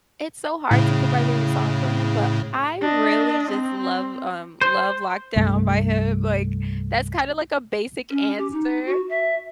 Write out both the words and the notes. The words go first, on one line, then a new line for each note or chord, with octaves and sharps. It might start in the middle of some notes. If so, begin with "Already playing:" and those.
it's so hard to pick my favorite song from him, but I really just love, um, Love Lockdown by him, like that's kind of like a basic answer.
A2 C#3
D4 D#5
C4
C5
C2 G2 A3
C#4
G4
D#4
F#4
E5